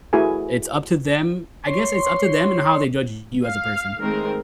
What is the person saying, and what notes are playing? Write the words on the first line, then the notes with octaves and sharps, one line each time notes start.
It's up to them I guess it's up to them and how they judge you as a person.
A3 E4 F#4 G#4 B4 G#5
C#5 C6
F5
D#3 G#3 A3 C4 A#4